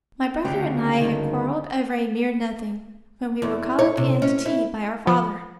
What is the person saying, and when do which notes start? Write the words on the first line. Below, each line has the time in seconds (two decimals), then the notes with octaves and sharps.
My brother and I had quarrelled over a mere nothing, when we were called in to tea by our father.
0.45 D2 A2 C#3 D4 G5
1.00 G2 D#3
3.42 E2
3.79 C#5
3.97 C3
4.22 C#4
4.46 E4
5.07 F3